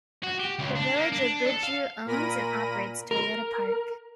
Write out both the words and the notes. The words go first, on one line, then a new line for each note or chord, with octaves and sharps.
The Village of Bridgeview owns and operates Toyota Park.
F#4
G4
C#2
D4
A#3
D4
A4
F5
A#2 A#4 B5 A#6 D#7
A#4